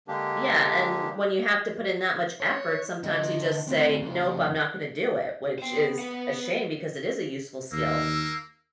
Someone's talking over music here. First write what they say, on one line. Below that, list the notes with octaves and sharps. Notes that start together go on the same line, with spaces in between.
Yeah, and when you have to put in that much effort, sometimes you just say, "Nope. I'm not gonna do it," which is a shame because it is a useful skill.
D3 G#3 A#3 D4 G4
C#5
D3 D#5
D2 C4
F2 C#3
B3 C5 G5
B4 F#5
D#2 A#3 E6